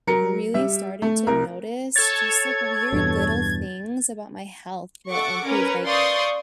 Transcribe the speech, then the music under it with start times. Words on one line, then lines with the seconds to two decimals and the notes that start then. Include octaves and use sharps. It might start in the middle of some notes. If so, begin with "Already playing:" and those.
really started to notice just, like, weird little things about my health that improved, like,
0.07 F#3 A#4 C#7
0.54 G3 E5
1.02 A3
1.27 C2 A#4
1.96 A4 C#5 G#6 A6
2.92 E2 G2 B2
5.10 A4 F#5 C#6 D6
5.46 C#4 A#4 B4
5.85 D5 F5 C6 C#6 D#6 G6